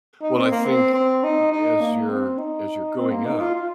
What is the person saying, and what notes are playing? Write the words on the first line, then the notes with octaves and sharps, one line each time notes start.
Well, I think y as you're as you're going up,
D#4
C4
A#3
C4
C4
D#4
D#4
A#3
C4
D#4
C4
A#3
D#4
F4
F4